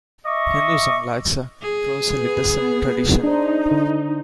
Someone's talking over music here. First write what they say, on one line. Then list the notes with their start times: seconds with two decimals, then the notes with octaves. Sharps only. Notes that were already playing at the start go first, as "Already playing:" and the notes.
Hinduism lacks a proselytism tradition.
0.25 D#5 E5 C#6 D6
1.62 G#4
2.15 B3
3.23 D4 D#4 C5
3.71 D3